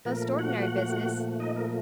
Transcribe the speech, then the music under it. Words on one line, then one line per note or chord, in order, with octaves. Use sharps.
Most ordinary business.
A#2 F3 A3 A#4
F#4 F#5
D#4 D#5
A#4